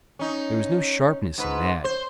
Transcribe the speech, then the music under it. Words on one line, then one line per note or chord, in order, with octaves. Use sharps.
There was no sharpness in that.
C#4 D#4
G#2 B4
C5